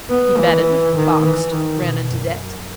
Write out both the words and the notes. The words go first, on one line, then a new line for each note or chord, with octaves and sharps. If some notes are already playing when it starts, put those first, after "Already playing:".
He betted, boxed, ran into debt.
B3
E3
D#3
E3
D#3
B2
F#2